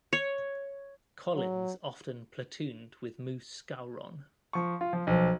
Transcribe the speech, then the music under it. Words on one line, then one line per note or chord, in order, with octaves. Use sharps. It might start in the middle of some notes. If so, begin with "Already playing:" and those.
Collins often platooned with Moose Skowron.
C#5
F#3
F3 C#6
F4
F3
B1 F3